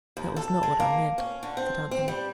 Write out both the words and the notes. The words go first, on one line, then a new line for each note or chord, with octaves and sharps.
"That was not what I meant," said Aunt Emmy.
D#2
A4
G#3
A#3
C#4
D3
C4
C4
G3